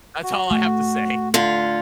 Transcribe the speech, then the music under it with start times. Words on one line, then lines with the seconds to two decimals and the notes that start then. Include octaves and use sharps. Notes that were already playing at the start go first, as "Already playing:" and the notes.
That's all I have to say.
0.23 F#4
0.51 A3
1.34 D3 F4